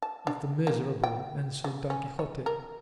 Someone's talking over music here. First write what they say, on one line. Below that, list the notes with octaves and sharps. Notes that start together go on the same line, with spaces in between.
"Of the miserable," answered Don Quixote.
A5
D4
A#3
G5
C#3
C#4
C#5
A#4